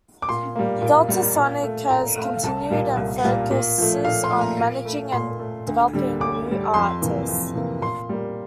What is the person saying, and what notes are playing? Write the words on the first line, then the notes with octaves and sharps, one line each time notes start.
Deltasonic has continued and focuses on managing and developing new artists.
D6
A#2 C6
G3 A#3
A#2
G3 A#3
A#2
A3
A#2 A#5
A3
C2 A5
A#2 G3 A#3
C2
A#2 G3 A#3
A#2
F3 A3
A#2 F5
C6
F3 A3
A#5
A#2
A3
A#2 C6
A3
D2
D3 G3
D2 D6
D3 G3
F2 C6
C3 E3 A#3
F2
C3 E3 A#3
A#2 C6
G3 A#3